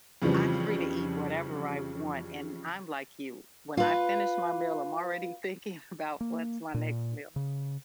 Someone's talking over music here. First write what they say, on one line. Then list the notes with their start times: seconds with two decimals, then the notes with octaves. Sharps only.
I'm free to eat whatever I want, and I'm, like, you. When I finish my meal, I'm already thinking about what's my next meal.
0.22 F2 C#3 E3 F3 G3
3.77 F4 B4
6.21 A#3
6.74 A#2
7.36 C#3